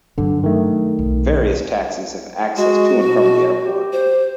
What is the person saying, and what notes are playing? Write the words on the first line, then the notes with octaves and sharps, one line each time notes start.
Various taxis have access to and from the airport.
G2 D3 F#3
D#3 A3
B1 C4
G#3 F#4
B2
G4
C5